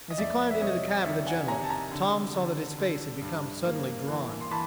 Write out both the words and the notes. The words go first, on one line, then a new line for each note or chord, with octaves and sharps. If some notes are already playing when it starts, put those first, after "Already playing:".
As he climbed into the cab of the General, Tom saw that his face had become suddenly drawn.
D#5
F2 D5 E5
E5
C3 C#5 D#5
D#3 D5 E5
F#5 G#5
C3 G#5 A#5
A5
G#5 A#5
D3
D3
D3
G2
A#3
E3
C6
E3 A5 B5